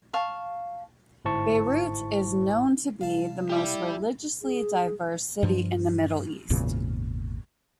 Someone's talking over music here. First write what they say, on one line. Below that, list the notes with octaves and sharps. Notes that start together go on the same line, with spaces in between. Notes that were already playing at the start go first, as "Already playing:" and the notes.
Beirut is known to be the most religiously diverse city in the Middle East.
F5 A5 C#6
G1 G#2 E4 C5 A5 C#6
C3 G3 F5 A5
E4 G4 D5
G#4
G2 F3
G#1 E2 A#2 C#3